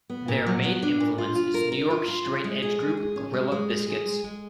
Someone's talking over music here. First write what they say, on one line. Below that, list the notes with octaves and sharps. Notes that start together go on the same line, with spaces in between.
Their main influence is New York straight edge group Gorilla Biscuits.
B3
A#2
F#3
B3
D4
A#2
F4
F4
A#4
A#4
F4
F4
C#4
G#3
G#4
G#3
G#4
C#4
G#3
G#3
G#4
G#4
G#3
G#3